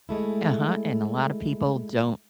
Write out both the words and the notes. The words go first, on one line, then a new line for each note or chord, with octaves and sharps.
Uh-huh, and a lotta people don't
G#3 A3 E4